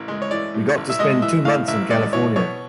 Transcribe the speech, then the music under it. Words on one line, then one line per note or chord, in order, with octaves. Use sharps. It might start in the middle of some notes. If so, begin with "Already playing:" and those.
We got to spend two months in California.
Already playing: A1
G#3
C#5
E3 D5
A2
A1
E5
G#3 D#5
E3 E5
A2 F5
A1 E5
G#3 D5
E3 C#5
B2 C#5